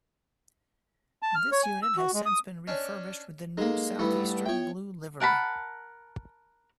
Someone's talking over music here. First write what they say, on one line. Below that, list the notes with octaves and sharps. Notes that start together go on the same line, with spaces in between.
This unit has since been refurbished with the new Southeastern blue livery.
A5
F6
C#5
G#5
E6
F#4
G#3
D#6
C#4 D4 C#5 D#5
G#3 A#3 D#4 A4
G2 A3 B3 E4
B3 F4 C#5 E5 G5
A#4 F#5 A5 B5